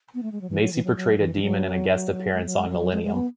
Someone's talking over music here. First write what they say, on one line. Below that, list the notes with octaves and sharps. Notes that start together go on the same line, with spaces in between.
Macy portrayed a demon in a guest appearance on "Millennium".
B3
A3
G#3
F#3
E3
F#3
E3
F#3
F#3
E3
E3
F#3
G#3
F#3
G#3
F#3
F#3
G#3
G#3
B3